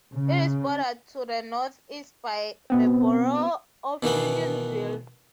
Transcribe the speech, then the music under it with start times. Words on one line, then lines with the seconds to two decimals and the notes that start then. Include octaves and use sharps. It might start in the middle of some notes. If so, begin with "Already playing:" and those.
It is bordered to the northeast by the borough of Unionville.
0.12 C#3
2.70 B2 B3 C4
4.03 B2 D#3 E3 B3